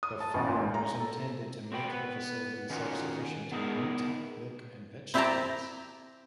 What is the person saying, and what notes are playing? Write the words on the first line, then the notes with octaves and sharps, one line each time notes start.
The farm was intended to make the facility self-sufficient in meat, milk and vegetables.
D#6
A5
A1
A#2
G#2
A#5
A#5
A4
C4 F#4 G5 B5
B3 B4
D#3 C#4 D#4 F4 F#4
B3 D#4 E4 G#4 A#4 D#5
C4 E4 G4 G5 A5 A#5